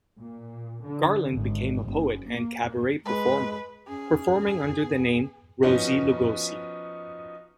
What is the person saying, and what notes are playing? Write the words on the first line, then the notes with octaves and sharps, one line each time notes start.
Garland became a poet and cabaret performer, performing under the name Rosie Lugosi.
A#2
D3
G#1
F#1
A#3
G#3 B4
C#4 G#4
B3
F3 B3 C#4 D#4 F#4